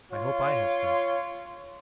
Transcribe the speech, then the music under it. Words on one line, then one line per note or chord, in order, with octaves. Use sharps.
I hope I have some.
F4 C#5